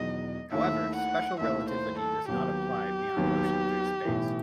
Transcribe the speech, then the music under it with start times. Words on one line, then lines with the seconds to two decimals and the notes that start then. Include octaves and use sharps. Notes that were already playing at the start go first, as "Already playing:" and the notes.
However, special relativity does not apply beyond motion through space.
Already playing: E1 E2 D#3 F#3 D#5
0.52 D#2 D#3 A3 E4 E5
0.96 F#5
1.40 D#2 D#3 A3 E4 E5
1.69 C5
1.99 A4
2.28 D#2 D#3 F#3 B3 G4
3.16 D#2 D#3 F#3 B3
4.05 B1 A2 E3